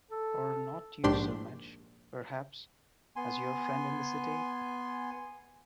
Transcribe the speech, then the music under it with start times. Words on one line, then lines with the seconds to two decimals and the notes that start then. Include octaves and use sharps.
Or not you so much, perhaps, as your friend in the city?
0.11 A4
1.04 A#1 G#2 D4 G4 C6
3.16 B3 G#5 C6